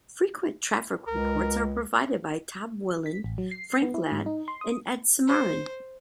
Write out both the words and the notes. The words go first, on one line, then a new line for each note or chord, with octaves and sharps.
Frequent traffic reports are provided by Tim Wilund, Frank Ladd, and Ed Smaron.
C#2 A#4
B6
A1
F#3
C7
B3
E4
G#2
D#4
C6
D#6
C5